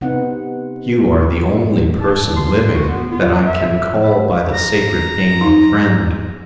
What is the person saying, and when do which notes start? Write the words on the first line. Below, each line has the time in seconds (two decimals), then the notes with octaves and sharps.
You are the only person living that I can call by the sacred name of friend.
0.01 C3 B3 C4 D#4 F#5
2.01 A5
2.36 C6
2.74 F#4
2.88 B3
3.11 F4
3.45 E5
4.03 B5
4.53 A#5
5.41 D#4